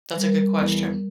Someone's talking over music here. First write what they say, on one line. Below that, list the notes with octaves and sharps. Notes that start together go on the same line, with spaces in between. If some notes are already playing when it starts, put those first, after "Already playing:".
That's a good question.
G3 A#4
E2